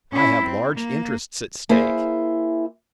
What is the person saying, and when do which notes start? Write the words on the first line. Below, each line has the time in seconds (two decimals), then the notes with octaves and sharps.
I have large interests at stake.
0.12 C#4 E4
0.44 C4
0.74 A#3
1.69 A#3 E4 G#4 C5 E5